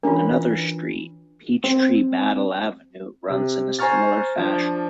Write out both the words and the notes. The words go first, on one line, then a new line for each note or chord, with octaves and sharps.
Another street, Peachtree Battle Avenue, runs in a similar fashion.
E3 C#4 D4 F4 A#4
C4
C3
C5 G#5 A#5 C#6 F6 A6
F3 D4